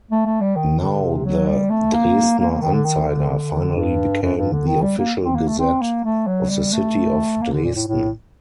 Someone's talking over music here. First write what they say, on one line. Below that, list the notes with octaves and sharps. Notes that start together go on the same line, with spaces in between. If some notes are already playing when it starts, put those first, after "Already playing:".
Now the "Dresdner Anzeiger" finally became the official gazette of the city of Dresden.
A3
A3
G3
D#3
D3
C3
F#3
G3
A3
A#3
A#3
A#3
D#3
D3
D#3
D3
G2
F#2
G2
D3
D#3
G3
A#3
C4
A#3
A3
C4
A#3
A3
F#3
G3
A3
A#3
D3
A#2
A2
A2